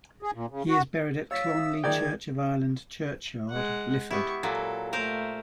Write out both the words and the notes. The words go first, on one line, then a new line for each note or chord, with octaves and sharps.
He is buried at Clonleigh Church of Ireland Churchyard, Lifford.
G#4
A#2
C#3
F#4
C#5 F5 E6 A6 B6
E5 D#6
D#3 G#4 D5 G5 G#6
G#3 F#5
B3 E4 G4 C#6
A#2 F#3 A4
A3 A#4 C5 F5